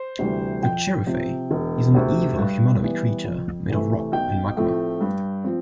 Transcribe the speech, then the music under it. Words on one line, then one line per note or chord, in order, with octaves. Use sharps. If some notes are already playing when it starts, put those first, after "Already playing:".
The Cherufe is an evil humanoid creature made of rock and magma.
Already playing: C5
D2 C3 E3 G3
F2 G5
C3 F3 C4
E1
D2 C3
G2
E3 G3 B3
F2
C3 E3 A3
B1 G5
A2 F3 A3 C4
G2
F3 C4